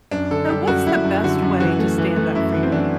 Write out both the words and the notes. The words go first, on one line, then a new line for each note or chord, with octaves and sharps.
So what's the best way to stand up for yours
F#2 D4
D3 A4
G3 G4
F#2 F#4
F#2 E4
F#2
D3 F#4
F#2
E3 F#4
A3
E3
A3
F#2 E4
E3
C4
E3 D4